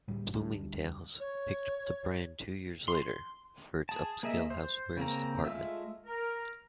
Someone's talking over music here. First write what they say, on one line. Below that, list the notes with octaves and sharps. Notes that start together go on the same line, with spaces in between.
Bloomingdale's picked up the brand two years later, for its upscale housewares department.
D2 A2 G3
D2 G3 B3 D4
C#5
C6
G#4 A5
A#3 G#4 D#5 E5
C5
C#3 A#3 C4 A#5
G#3 A3 F4 E5 E6
A#4